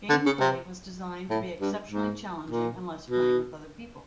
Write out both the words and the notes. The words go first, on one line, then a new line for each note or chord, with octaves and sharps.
Gameplay was designed to be exceptionally challenging unless playing with other people.
D3
C#3
C3
A2
G2
G#2
A#2
B2